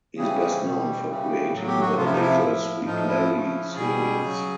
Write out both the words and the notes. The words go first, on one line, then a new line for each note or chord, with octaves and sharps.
He is best known for creating the "Leisure Suit Larry" series.
C#3 E3 G3 G#4
G#4
B2 G3
C#3 E3 G3
A2 F#3
G4
F#4
C3 F3 F4
E4
D#4
E4
A2 F3
A2 F3 D#4
E4
C#3 F3
B2 G3 G#4
C#3 F#3